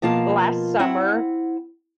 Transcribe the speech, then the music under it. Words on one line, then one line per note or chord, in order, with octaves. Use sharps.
last summer
B2 F3 A#3 F4 A5
C4 E4 F#5